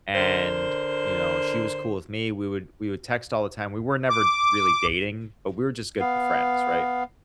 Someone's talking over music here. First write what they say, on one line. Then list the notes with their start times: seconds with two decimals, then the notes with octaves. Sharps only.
and, you know, she was cool with me. We would we would text all the time. We were never really dating, but we were just good friends, right?
0.15 D3 A#4 C5
4.10 D6
6.00 B3 F5